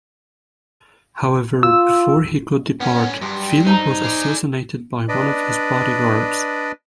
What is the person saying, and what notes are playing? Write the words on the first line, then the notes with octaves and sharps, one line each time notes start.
However, before he could depart, Philip was assassinated by one of his bodyguards.
F4 E6
G2 B3 C#4
G2 F#3 G3 C6
D#4 C5 A5 A#5
G#4 D5
D4 B4 D5 D#5